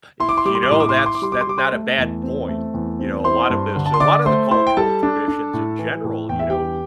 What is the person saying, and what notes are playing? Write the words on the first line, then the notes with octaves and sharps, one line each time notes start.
Y you know, that's that not a bad point, you know, a lot of this a lotta the cultural traditions in general, you know,
E4 C6
D6
C6
G3 D6
C6
D6
A2 C6
D6
C6
E4 D6
C6
D6
G3 C6
D6
C6
G3 D6
C5 C6
A3
E2
C4
A3
E2
C4
E4 C5 C6
G2
D3
A5
C6
D3 D5 D6
A3 C5 C6
E4 C5 C6
G5
G3 A4 A5
D4
D4
A2
E3
A2
E2 G5
E5
E3 G4 G5